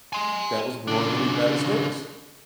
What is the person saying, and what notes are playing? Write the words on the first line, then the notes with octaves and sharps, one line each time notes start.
that was brewing in the United States.
G#5 C6
C#3 D4